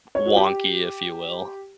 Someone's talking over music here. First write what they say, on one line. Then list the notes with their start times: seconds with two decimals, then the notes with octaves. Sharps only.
wonky, if you will?
0.15 C#5
0.26 F#4
0.36 G4